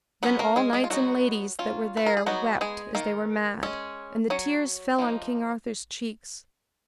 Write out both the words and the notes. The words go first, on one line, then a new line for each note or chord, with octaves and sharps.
Then all knights and ladies that were there wept as they were mad, and the tears fell on King Arthur's cheeks.
F#3 B3 C#4 B4
A#3 A#4
G#3 G#4
G#3 G#4
F4
F#3 G#3 B3 D#4 F#4
F#3 C#4 F4
B4
A#4
G#4
F#3 G#3 B3 D#4 F#4
G#3 G#4
D#3 A#3 A#4
G#3 C#4
F#3 C#4 C#5
F3 A#3 D#4